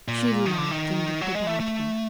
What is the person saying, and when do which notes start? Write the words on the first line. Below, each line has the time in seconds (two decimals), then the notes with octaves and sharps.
She laughed and looked about her.
0.08 A#2
0.46 D#3
0.58 D3
0.71 D#3
1.21 F#3
1.35 G#3
1.47 A3
1.60 A3